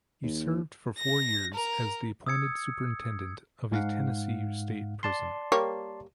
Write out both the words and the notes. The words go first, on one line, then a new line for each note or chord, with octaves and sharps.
He served for four years as the appointed superintendent of a Tennessee state prison.
D#2
A#6
A#4
D#6 E6 G#6 C#7
G#2 F5 F#5
D5 A5 C6
G3 A#3 C#5